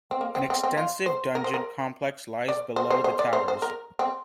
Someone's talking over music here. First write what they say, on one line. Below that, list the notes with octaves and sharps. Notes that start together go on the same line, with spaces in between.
An extensive dungeon complex lies below the towers.
C4
A#3
C4
C4
C4
F4
C5
A#4
C5
A#4
D5
C5
C5
C5
D5
C5
C5
A#4
C4